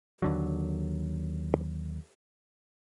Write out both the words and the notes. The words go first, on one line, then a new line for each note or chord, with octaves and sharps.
Ford introduced flexibility into mass production, so that Fordism could continue to evolve.
D#2 D3 F#3